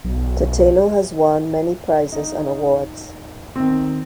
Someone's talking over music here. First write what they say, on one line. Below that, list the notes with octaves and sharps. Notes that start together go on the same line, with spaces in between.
Tateno has won many prizes and awards.
B1
D#4
D#3 C4